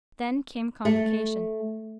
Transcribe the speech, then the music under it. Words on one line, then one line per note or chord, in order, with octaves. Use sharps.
Then came Convocation.
A3